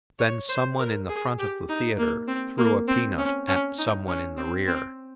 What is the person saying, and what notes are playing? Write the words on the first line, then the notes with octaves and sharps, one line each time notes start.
Then some one in the front of the theatre threw a peanut at some one in the rear.
C#5
C5
A#4
G#4
G4
D#4
A#3
C4
A#3
C4
C#4
C#4
D#4
C#4
C4
C4